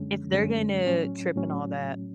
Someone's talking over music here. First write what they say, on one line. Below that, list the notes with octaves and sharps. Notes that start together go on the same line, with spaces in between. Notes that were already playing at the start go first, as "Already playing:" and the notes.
if they're gonna trip and all that,
Already playing: F#2 D3 G#3 C#4
F#2 D3 G#3 C#4
A2 F#3 C#4
A2 F#3 C#4